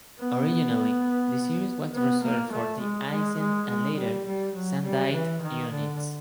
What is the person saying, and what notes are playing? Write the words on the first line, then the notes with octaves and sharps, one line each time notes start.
Originally the series was reserved for de-icing and, later, sandite units.
B3
B3
A#3
A3
G#3
G#3
G#3
G#3
G3
G3
F#3
G3
E3
D#3
D3